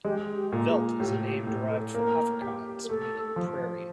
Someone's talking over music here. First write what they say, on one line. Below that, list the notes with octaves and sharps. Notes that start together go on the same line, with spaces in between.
Veldt is a name derived from Afrikaans, meaning "prairie".
G#3 G4
G4
A#2
G#4
A2 G4
G4
A2
A4
A#3 A#4
G4
A#4
A3 A4
F3